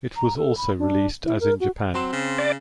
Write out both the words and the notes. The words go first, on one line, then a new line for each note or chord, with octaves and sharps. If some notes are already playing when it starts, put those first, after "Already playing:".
It was also released as in Japan.
A#5
A4
B5
D4
E4
A#4
F#4
F#3 C4 C6 E7
C#3
D5